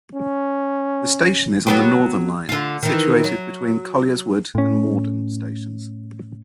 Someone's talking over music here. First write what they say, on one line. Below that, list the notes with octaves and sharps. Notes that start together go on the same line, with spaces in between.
The station is on the Northern line, situated between Colliers Wood and Morden stations.
C#4
F#3 B3 G4
D3 F4
D#3 E3
F#3
A2 C#4